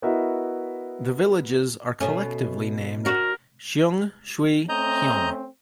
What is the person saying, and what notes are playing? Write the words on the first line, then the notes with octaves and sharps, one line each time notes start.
The villages are collectively named "Sheung Shui Heung".
B3 E4 F#4 A#4 D#5 E5
B2 A3 C#4
D4 F#4 A#4
A3 C4 C#4 D#5 A#5 G6